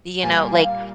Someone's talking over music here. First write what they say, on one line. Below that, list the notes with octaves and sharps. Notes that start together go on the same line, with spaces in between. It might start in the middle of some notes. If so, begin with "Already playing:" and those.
you know like,
A#2 G3 A#3 G#5
F5